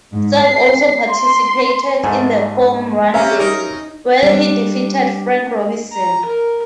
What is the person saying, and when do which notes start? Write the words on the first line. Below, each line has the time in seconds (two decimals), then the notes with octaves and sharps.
Cerv also participated in the Home Run Derby, where he defeated Frank Robinson.
0.12 G#2
0.42 C7
1.09 C6
2.04 G#2 A3 G#5
3.14 C3 C#4 E5 F5 A#5
3.39 C#4 D#4 A#4
4.23 G3 D4
5.93 A#5
6.26 A#4